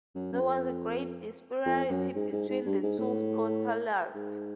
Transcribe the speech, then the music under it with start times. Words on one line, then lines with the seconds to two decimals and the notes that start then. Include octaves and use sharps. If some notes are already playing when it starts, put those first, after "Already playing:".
There was a great disparity between the two flotillas.
0.15 F#2
0.32 F#2
0.40 F2
1.66 F2
1.90 F#2
2.15 G#2
2.32 G#2
2.49 G#2
2.65 G2
2.83 G#2
2.99 A2
4.15 G#2